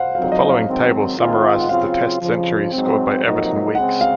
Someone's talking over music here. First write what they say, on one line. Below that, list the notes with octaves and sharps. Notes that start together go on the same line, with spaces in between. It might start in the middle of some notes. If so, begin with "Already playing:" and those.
The following table summarises the Test centuries scored by Everton Weekes.
Already playing: C5 F5 F#5
F2 C3 F#3 C4 D#4 F5
D#5
F5
G#2 D#3 F#3 C4
D#3 G#3 C4 F4
F#5
C#3 F#3 C4 F4 F5
F2 C#3 F3
G#2 F#3 C4
F2 C3 F#3 A#3 D#4
C#3 G#3 C4 F#5
F5